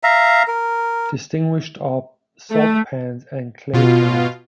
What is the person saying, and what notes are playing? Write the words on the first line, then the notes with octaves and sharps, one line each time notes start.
Distinguished are "salt pans" and "clay pans".
E5 F5 A#5
A#4
A3
B2 F4